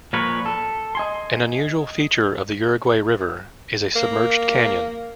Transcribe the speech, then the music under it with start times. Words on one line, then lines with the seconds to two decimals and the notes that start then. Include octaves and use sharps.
An unusual feature of the Uruguay River is a submerged canyon.
0.13 A#2 F3 A#4 B4 C#5
0.46 A4
0.95 D#5 G#5 C6
3.96 A#3